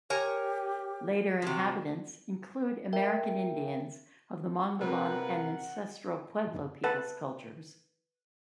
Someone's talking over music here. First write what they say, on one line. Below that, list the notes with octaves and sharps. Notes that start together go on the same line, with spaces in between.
Later inhabitants include American Indians of the Mogollon and Ancestral Pueblo peoples cultures.
G4 A#4 C#5 G#5
C3 F3 F#4
A#4 E5 G5
C3 A#4 B4 F#5
A4 B4 F#5 A5